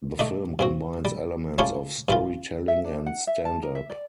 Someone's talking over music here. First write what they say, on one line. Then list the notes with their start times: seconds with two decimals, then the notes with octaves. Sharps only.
The film combines elements of storytelling and stand-up.
0.19 A3 D4 D#4
0.59 G2 C4 F#4
1.05 G3
1.58 G3 A3 C#4 D4 F4 C#5
2.08 G2 E3 F4
2.68 E5
2.84 D4
3.06 F#5
3.27 E5
3.45 A5
3.63 A#4
3.75 E5
3.90 D5